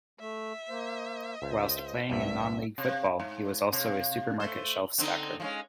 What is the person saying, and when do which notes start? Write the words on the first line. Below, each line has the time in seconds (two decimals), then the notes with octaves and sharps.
Whilst playing in non-League football he was also a supermarket shelf stacker.
0.20 A3 E5
0.69 A#3 C5
1.42 C#2 C5
2.10 C2 G2 E5
2.78 C3
3.20 G#2
3.73 C3
4.40 A3 C5
4.98 D3 C4 D#4
5.40 F3 G#3 C#4